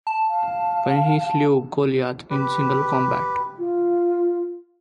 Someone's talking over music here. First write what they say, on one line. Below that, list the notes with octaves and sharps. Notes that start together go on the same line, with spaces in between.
When he slew Goliath in single combat.
A5
F5
G4 B4
F4